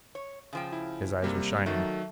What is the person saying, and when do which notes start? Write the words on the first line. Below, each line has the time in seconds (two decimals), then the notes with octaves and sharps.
His eyes were shining.
0.15 C#5
0.53 C#3 F3 G5
0.72 E4
1.22 C3 G3 A#3
1.66 D#3 F#3 A3